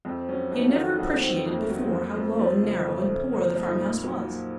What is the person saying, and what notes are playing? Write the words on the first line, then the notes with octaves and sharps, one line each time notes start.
He had never appreciated before how low and narrow and poor the farm-house was.
F2 C4
F#3 C#4
F2 D#4
A4
F4
D#3 F#4
A4
F2 F#4
D#3 C4
F2 A#3
A3
F#3 A3
C4
F2 A#3
F2
F3
C#3
F2 A3
F2
F2 A#3
A#3
F2
D#4
A#2
F#3
A#2